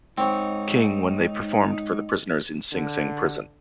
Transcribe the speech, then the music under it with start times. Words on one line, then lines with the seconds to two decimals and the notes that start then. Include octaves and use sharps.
King when they performed for the prisoners in Sing Sing Prison.
0.18 G#2 C4 D#4 C#5
2.72 D3